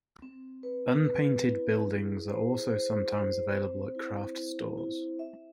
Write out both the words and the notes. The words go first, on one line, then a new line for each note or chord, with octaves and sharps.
Unpainted buildings are also sometimes available at craft stores.
C4
B4
B4
E4
G#4
C5
C5
C5
C4
E4
E4
E4
E5